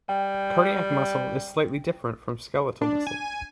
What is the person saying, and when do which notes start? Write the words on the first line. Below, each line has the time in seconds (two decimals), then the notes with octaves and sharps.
Cardiac muscle is slightly different from skeletal muscle.
0.09 G3 G5
2.81 D4
3.07 G#5